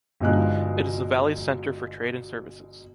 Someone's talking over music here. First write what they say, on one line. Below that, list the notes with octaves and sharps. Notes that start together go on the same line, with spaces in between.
It is the valley’s center for trade and services.
G1 B2 F3 G#3 D#4 F#6